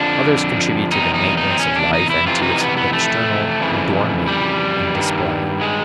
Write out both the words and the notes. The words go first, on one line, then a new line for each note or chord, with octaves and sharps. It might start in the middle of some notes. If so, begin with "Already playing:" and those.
Others contribute to the maintenance of life, and to its external adornment and display.
Already playing: F2 D3 F3 D4
E2 C3 D#4
D#4
D#4
C4
C#4
D4
D#4
E4
F2 C3 E3 F4
D#4
B3
B3
A3
F2 C#3 E3
G3
G2 D#3
G#3